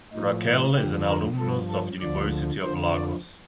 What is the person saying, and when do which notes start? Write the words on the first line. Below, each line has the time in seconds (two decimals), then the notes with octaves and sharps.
Raquel is an alumnus of University of Lagos.
0.13 A2 F3 D#4
0.44 F4
0.76 F2 D3 F3 G4
1.07 A#4
1.38 G2 F3 A4
1.69 A4
2.01 D2 D3 F3 D5
2.63 F2 D3 F3 C5
2.94 D5